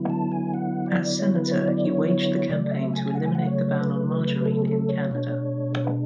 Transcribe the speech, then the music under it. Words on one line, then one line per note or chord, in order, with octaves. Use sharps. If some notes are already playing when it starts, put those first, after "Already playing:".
As Senator, he waged the campaign to eliminate the ban on margarine in Canada.
Already playing: D3 F#3 B3 E4
A5
G#5
F#5
D5
C#5
B4
C#5
D5
C#5
C#3 F#3 A3 D5
E5
G#5
F#5
G#5
F#5
C#5
B4
A4
G#4
A4
C#5
B2 G#3 D4 C#5
C#5
B4